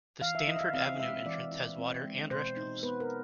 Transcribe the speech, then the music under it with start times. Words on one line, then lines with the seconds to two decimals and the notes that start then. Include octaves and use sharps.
The Stanford Avenue entrance has water and restrooms.
0.21 E3 F5
0.35 E5
0.48 E4 D#5
0.56 E5
0.61 F5
0.73 C4 F5
1.00 G#3 E5
1.26 E3 D5
1.52 E4
1.78 C4
2.04 G#3
2.30 B2 C5
2.57 D#4
2.83 B3 B4
3.00 A#4